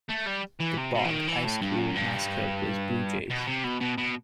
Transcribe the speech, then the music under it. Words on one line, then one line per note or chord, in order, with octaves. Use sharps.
The Bogue High School mascot was Bluejays.
A3
G3
E3
C3
B2
E3
D#3
E3
A2
G2
F#2
G2
B2
C3
B2
B2
B2